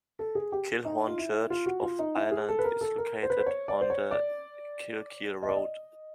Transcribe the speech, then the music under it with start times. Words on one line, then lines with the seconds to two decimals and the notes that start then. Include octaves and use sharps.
Kilhorne Church of Ireland is located on the Kilkeel road.
0.19 A4
0.35 G#4
0.52 G4
0.85 D#4
1.08 F4
1.18 E4
1.50 F4
1.66 F#4
1.83 F4
1.99 D#4
2.16 E4
2.31 G#4
2.49 A4
2.59 B4
2.64 A#4
2.81 A4
2.98 A#4
3.23 C5
3.30 B4
3.39 C5
3.46 C#5
3.68 D5
3.81 C5
3.90 C#5
4.11 D5
5.43 D#5
5.49 D5
5.56 D#5